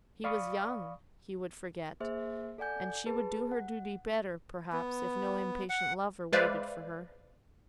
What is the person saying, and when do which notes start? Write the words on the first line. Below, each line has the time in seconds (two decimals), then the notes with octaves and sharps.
He was young; he would forget; and she would do her duty better, perhaps, if no impatient lover waited for her.
0.24 D5 F5 B5 C#6 D#6
2.00 A#3 G#4 C5 E5
2.58 A4 D5 F#5 G#5 G6
3.06 G#4 B4 A5
3.52 F#5
4.72 B3
5.69 F#5
6.32 G#3 B4 C5 D5 E5 F5